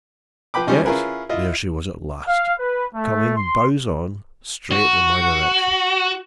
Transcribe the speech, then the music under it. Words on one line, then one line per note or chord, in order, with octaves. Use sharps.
Yet there she was at last--coming bows on, straight in my direction.
F3 B4 G5 B5 D6
F3 G3 G#3 C#4 D#4
C#4 E4 F4 G#4 A#4 B4
E4 F4 D#5
F5
B4
A3
C6
F#4